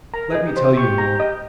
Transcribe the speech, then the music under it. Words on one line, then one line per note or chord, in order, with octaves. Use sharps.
Let me tell you more.
A#4 A#5
G#4
D#5
G4
C5
G4 C#6
A#5
D#5